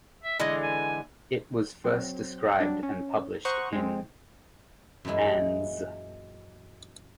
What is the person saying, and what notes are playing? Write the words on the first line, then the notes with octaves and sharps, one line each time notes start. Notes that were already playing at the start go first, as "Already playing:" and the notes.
It was first described and published in Anz.
E5
D3 E3 G#3 D#5
G#5
F#3 C4
F#3 G3 D4
C#4
C5 F#5 A#5 C#6 D#6 F#6
G#3 C4
F#2 A#2 E3 G#3 E4